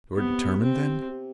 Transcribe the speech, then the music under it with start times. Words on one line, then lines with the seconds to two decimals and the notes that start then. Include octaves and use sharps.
"You are determined then?"
0.16 C3 B3
0.62 C4
1.09 C3